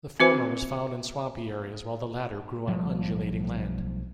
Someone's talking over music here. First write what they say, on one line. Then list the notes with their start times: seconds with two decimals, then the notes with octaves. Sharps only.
The former was found in swampy areas, while the latter grew on undulating land.
0.20 C4 F#4 C5
2.68 B1 F3 G3 A3